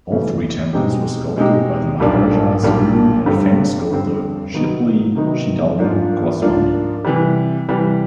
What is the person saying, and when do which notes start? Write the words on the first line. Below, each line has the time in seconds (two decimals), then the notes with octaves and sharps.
All three temples were sculpted by the maharaja's guru and famous sculptor, Shilpi Siddalingaswamy.
0.10 F2 C#3 E3 A3 C#4
0.73 B2 G#3 C4 D#4 G4
1.36 B2 G#3 C4 D#4 G4
2.00 B1 A#2 G3 A#3 D4
2.63 B1 A#2 G3 A#3 D4
3.26 G1 G2 D3 G3 C4
3.90 G1 G2 D3 G3 C4
4.52 C3 D#3 F#3 B3 D#4
5.15 C3 D#3 F#3 B3 D#4
5.79 G#2 F3 A#3 D4 F4
6.42 G#2 F3 A#3 D4 F4
7.05 C3 E3 G3
7.69 C3 E3 G3